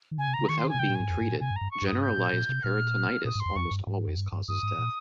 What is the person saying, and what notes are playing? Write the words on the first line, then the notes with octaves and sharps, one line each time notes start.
Without being treated, generalised peritonitis almost always causes death.
D#3
C#3 G#5
C3
C#3 A#5
D#3 C#6
C6
G#5
C3
C#3 G5
A#2
G#2 G#5
F2
G#2
A#2
C3 G#5
G2
A#5
G2
C#6
G2
D#6
G2
G#2 G6
A#2
A#2
C3
A#2 F6
A#2 D#6
G#2
C6
F2
F2 C#6
G2
G#2
F2
G2
G2
G2 D#6
G#2
A#2